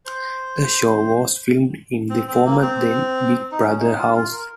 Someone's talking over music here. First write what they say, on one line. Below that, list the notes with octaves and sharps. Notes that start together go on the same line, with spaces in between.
The show was filmed in the former then "Big Brother" House.
C5
C4
C4
A#3
C4
D#4
C#4
D#4
F4
F4
A#4